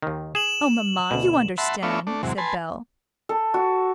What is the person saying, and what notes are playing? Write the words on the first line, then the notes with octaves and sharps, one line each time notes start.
"Oh, mamma, you understand," said Bell.
D#2 D#3
G#4 E7 F#7
D2 B2
E5 F#5 A5 B5 C6
A3 B3 D4 F4 C#5 E5
A3 D4
E2 G#2 C3 F#3
B4 G#5 A5 C6
A4
F#4